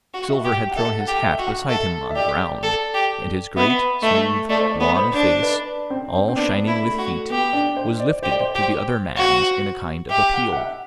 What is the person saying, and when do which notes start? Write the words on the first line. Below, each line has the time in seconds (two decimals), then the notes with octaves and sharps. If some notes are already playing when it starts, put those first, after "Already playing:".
Silver had thrown his hat beside him on the ground, and his great, smooth, blond face, all shining with heat, was lifted to the other man's in a kind of appeal.
0.14 F#4
0.30 E5
0.45 G4
0.71 F#5
0.76 A4 E5
1.00 F#5
1.08 G4
1.23 E5
1.39 F#4
1.47 F#5
1.69 A4 E5
2.10 E5
2.16 G4 D5
2.63 A4
2.94 G4
3.56 B3 E5
4.02 A3 E5
4.49 A3 D5
4.60 C5
4.71 D5
4.80 B3
4.96 C5
5.13 D4
5.42 B4
5.90 C4
6.28 C4
6.36 B3 D4
6.67 E4
6.84 A3
6.98 F#4
7.30 B3 G4
7.53 D4
7.77 C5
8.00 D5
8.23 G4 C5
8.31 D5
8.40 C5
8.55 G4
9.16 F#4
10.10 G4 E5
10.34 F#5
10.52 F#5
10.57 E5